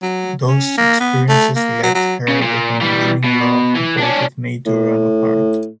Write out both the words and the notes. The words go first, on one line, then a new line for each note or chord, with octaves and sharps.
Those experiences left her with an enduring love both of nature and of art.
F#3
C#4
A#3
B3
A3
A#3
F#3
F#3
C#3
A#2
E3 G3
B2
E3
C#4 D4
A2